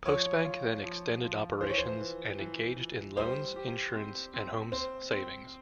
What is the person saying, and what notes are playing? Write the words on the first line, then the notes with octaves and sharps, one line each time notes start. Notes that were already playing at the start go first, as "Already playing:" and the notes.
Postbank then extended operations, and engaged in loans, insurance and homes savings.
F3 C#5
F4
F3
F3
E3 C5
C#5
C5
E3
E3
E3
G3 C5
G4
C4
C4
C4 C5
C4